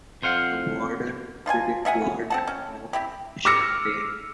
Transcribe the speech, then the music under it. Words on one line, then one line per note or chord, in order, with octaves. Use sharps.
The Warden with a quart of champagne.
F2 C5 F5 F#5
F3 F4 A#4 G#5
C#3 E5 F#5 G#5
C4 F#5 A5
C#4
C4 E4 G4
D6 E6 F6 A#6 C#7